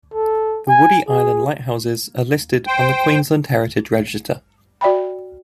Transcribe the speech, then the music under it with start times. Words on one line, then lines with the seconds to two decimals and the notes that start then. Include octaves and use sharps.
The Woody Island Lighthouses are listed on the Queensland Heritage Register.
0.14 A4
0.68 G#5
1.08 G#4
2.67 C5 G5
4.81 F#4 D5 E5 G5 B5